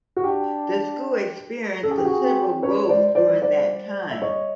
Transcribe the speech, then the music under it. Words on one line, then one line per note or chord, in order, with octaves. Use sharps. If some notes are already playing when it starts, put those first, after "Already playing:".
The school experienced considerable growth during that time.
F#4
D4 G4
C#4 A4
G#4
G4
F#4 G#4
C4
C#4 B4 C#5
G#3 C5 D5
G3 C5 D5
F#3
G3 C5 D5
E5
C#5 D#5